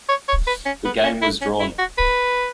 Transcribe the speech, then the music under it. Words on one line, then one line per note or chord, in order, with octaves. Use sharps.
The game was drawn.
C#5
C#5
B4
C#4
B3
C#4
E4
C#4
E4
F#4
B4